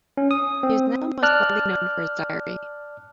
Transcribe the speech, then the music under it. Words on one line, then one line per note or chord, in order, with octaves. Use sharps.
He is now most widely known for his diary.
C#4
D#6
C4
D5 A5 F6 F#6